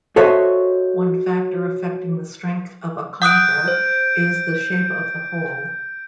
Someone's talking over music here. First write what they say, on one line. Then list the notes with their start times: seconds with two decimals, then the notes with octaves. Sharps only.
One factor affecting the strength of a conker is the shape of the hole.
0.16 F#4 A4 C5 C#5 D#5 E5
3.22 F#5 D#6 F#6 G6 D7
3.68 C5